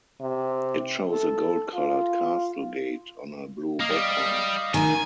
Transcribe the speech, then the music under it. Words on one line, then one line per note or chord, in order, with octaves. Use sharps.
It shows a gold-colored castle gate on a blue background.
C3
A4
F4
A#3 D#5 F5
G3
D#3 D#4 G#5